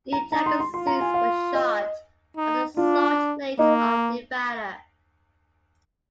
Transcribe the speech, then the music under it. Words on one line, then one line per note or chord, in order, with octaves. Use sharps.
Dean Jagger's scenes were shot on the Salt Lakes of Nevada.
A#5
D#4 A#5
C6
C6
F4 C6
A#5
G#5
F5
D#5
D#4
D4 F4
A#3 D#4